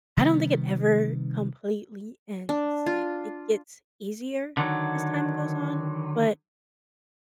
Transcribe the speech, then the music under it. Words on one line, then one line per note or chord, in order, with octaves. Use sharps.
I don't think it ever completely ends, like, it gets easier as time goes on, but
C3 D#3 G3 B3
D4
F4
D3 D#3 F#3